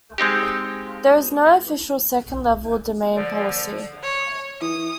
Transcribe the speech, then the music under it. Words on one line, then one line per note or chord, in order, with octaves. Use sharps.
There is no official second-level domain policy.
G#3 C4 D#4 G4
D3 F3 D5
C#5
E3 D#6